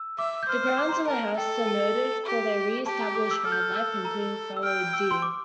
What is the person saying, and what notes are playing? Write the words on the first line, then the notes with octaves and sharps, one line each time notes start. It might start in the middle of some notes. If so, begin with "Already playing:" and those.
The grounds of the house are noted for their re-established wildlife, including fallow deer.
Already playing: E6
E5 D6
G6
C5 F6
F6
D6
A#5
C6
A#4 A5
A4 G5
A5
G4
G4 A5
A#5
D6
E6
A4 F6
G6
F6
E6
A#5
E6
G5 F6
E6
C6
D6